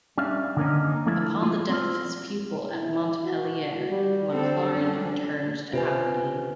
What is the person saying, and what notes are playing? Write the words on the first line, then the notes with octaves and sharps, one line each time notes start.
Upon the death of his pupil at Montpellier, Maclaurin returned to Aberdeen.
G3 C#4 D4 E5 F5
D3 D#3 A#3 C#4 D#4
F3 A3 A#3 E4
F4 C6
C4 F4
E4
F#4
G3
D3 C4 A4
C#4 D4
C3 F4 B4 G#5